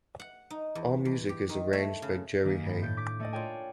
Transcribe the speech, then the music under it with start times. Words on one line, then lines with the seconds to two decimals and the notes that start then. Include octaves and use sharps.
All music is arranged by Jerry Hey.
0.20 F#5
0.50 D#4
0.75 E2
1.05 E2
1.29 G4
1.49 D#3
1.73 A3
2.02 C#3
2.44 D#3 A#3 G#5
2.65 G2
2.82 A2 G6 A6 B6
2.97 D6 B6
3.20 A3 D5 D#5
3.33 F4 A#4 C#5 D5 G5 G#5